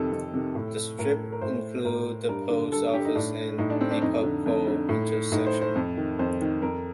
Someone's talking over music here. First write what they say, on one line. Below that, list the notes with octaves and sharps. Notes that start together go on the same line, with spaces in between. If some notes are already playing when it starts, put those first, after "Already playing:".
The strip includes the post office and a pub called The Intersection.
Already playing: F2 C3 D#3 A4
F2
C3 D#3
A2
A2 A#4
A#4
A2 C5
A2 A#4
G2 A#4
D3
G2 A4
D3 G4
D#4
A2 D4
A2 D#4
D4
C4
D4
F2 D#4
D3
F2
D3
A2
A2 D#4
C5
C5
F2
D#3
F2 C5
D#3
F2 A#4